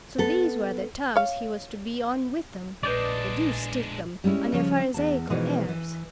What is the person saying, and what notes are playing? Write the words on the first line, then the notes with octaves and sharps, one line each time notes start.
So these were the terms he was to be on with them--the deuce take them and their pharisaical airs!
B3 A4
C#5 F5
A#1 G#3 D4 B4 D5 D#5 G6 D7
G3 G#3 C#4 E4
C#3 F3 C#5
E2 A5
B2 E3 F3 G#3 D#4 F#4
E3